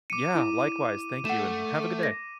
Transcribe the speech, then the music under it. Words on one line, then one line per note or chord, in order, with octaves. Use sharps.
Yeah, likewise, thank you and have a good day.
D6 C#7 D#7
E4
A3 F#5 E7
A#6